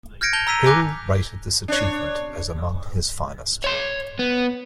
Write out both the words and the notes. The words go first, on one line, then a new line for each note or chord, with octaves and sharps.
Hill rated this achievement as among his finest.
F6 G6 G#6 A#6 C#7 D7
A5 G6 F7 G7
A#5 E6 B6 D#7
G#5 D6 F#6 A#6
D4 C#5
C#5 C6
B3